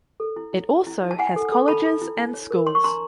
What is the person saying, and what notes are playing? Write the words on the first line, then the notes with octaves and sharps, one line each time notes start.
It also has colleges and schools.
A4
E4
E4
E4
E4
E4
A5
E4 F#5 G#5
A4
A4
A4 A5 B5
A4
E4
D4
C#5
A#4
C#5 C6
C#6
D4 A#5 C6